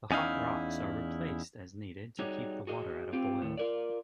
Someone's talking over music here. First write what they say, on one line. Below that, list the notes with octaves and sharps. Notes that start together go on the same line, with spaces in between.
The hot rocks are replaced as needed to keep the water at a boil.
E2 C#4 D#4 E4 F5
G3 D#4 F#4 G#4 C#5
F#4 G#4 D#5
C4 F4 G4
A2 D#3
F4 A#4 D5